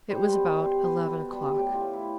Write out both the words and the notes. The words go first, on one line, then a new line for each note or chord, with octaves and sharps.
It was about eleven o'clock.
G3 C5
B4
B2
C5
G3
C5
B2 B4
B2 A4
G3 A4
A2 G4
F4
A2
E4